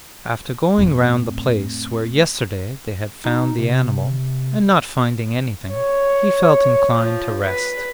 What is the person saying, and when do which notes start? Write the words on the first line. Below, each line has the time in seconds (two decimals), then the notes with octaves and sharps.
After going round the place where yesterday they had found the animal and not finding anything, he felt inclined to rest.
0.78 F2 A2
3.25 D#4
3.58 C3
5.74 C#5
6.93 F3
7.43 B4